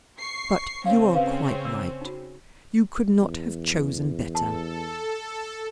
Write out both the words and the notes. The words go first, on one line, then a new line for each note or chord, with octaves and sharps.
But you are quite right; you could not have chosen better.
C#6 C7
C#3 C4 C#4 F5
B4 F5
D5 E6
D#4 F#4
E2
A4 A5